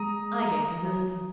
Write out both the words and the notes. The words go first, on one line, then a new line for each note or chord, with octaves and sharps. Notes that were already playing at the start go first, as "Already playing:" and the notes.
'I gave her nothing.
Already playing: G#3 A#5 D#6
A#5 D#6
F#3